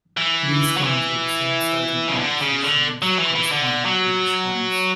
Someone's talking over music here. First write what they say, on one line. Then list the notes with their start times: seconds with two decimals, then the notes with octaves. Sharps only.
These coins were the same size and composition as the corresponding British coins.
0.17 E3
0.78 F#3
0.84 E3
2.07 C#3
2.18 D3
2.41 C#3
2.63 D3
3.02 F#3
3.19 E3
3.36 E3
3.52 D3
3.86 F#3